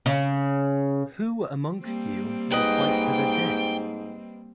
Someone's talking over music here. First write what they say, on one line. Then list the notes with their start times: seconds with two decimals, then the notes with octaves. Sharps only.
Who amongst you will fight to the death?
0.06 C#3
1.81 G3 A#3 C4
2.52 G#2 B4 D#5 G5